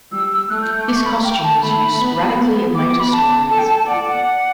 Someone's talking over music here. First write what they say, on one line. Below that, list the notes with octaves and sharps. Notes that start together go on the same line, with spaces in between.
This costume was used sporadically in later stories.
G3 E6
E6
A3 F#6
G6
G6
D6
C#6
B5
G5
A5
A3 B5
B3
B3
D6
D6
B5
A5
A4 A5
G5
A5
D5 F#5
F#5